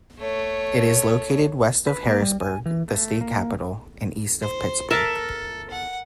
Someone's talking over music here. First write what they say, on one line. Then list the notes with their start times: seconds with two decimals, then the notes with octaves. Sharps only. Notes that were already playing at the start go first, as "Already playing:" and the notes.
It is located west of Harrisburg, the state capital, and east of Pittsburgh.
0.19 A3 C#5
1.87 B4
2.07 A#3
2.22 G3
2.41 G#5
2.66 E3
2.88 A3
3.21 A#3
4.42 C5
4.90 A4 A#4 E5 A5
5.71 F#5